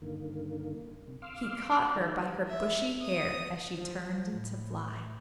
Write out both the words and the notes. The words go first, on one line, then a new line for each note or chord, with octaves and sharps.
He caught her by her bushy hair as she turned to fly.
G2 D3 D#3 A#3
C3
F5 C6 D6 E6 F6
F#6
D#3 G3 E5
E5
D#6
F3
A2